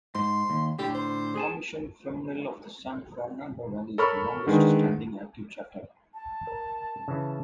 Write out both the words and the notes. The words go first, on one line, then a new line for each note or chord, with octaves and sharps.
Comision Femenil of the San Fernando Valley is the longest-standing active chapter.
G#2 C6
D#2
A2 D3 G4
C5
G#4 G#5 A5
A4 A#4 C#5 B5 C#6 F6
D3 D#3 G#3 B4
A5
A#4
C#3 E3